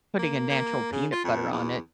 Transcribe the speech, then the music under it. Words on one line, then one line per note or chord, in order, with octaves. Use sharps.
putting a natural peanut butter on it,
A#3
A#3
C#3
F4
F2
E2